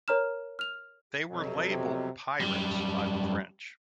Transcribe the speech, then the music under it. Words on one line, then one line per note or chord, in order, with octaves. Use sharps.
They were labelled "pirates" by the French.
A#4 C#5 A#5 F6 E7
F6 F7
F2 B2 F#3
C3
F#2 G3